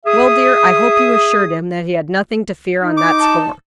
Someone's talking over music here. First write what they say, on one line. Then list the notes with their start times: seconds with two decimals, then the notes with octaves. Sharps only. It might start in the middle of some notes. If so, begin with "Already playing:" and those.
"Well, dear, I hope you assured him that he had nothing to fear on that score."
0.05 G#4 E5 D#6
2.81 D#4
2.97 D6
3.20 A5